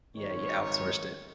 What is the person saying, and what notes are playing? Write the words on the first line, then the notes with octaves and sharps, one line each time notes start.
Yeah, you outsourced it.
G#1 G#2 D#3 C#5